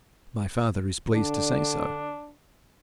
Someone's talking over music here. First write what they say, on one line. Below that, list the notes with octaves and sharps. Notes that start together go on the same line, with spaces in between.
'My father is pleased to say so.'
D3 D4